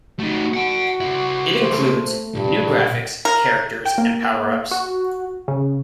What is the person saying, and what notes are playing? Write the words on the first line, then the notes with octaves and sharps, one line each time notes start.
It includes "new graphics, characters and power-ups".
A3 D#4 F#4
F#5 A5
C4 E4
A3 C5
B1 G2 A#2
A#4
G5
A#3
F#4
C#3